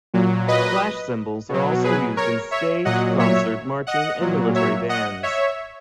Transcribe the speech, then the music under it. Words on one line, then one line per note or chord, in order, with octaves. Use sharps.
Clash cymbals are also used in stage, concert, marching and military bands.
A#2 F#3
B4 D#5
B2 F#3
G#4 B4
A#4 C#5
C#5 E5
A#2 F#3 D#5 F#5
C#5 E5
D#5 F#5
A#2 F#3
C#5 E5
D#5 F#5
C#5 E5